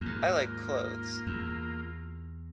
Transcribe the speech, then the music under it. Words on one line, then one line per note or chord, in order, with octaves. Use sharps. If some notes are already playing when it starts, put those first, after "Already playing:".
I like clothes.
D#2 G#2 A#3 F4
E2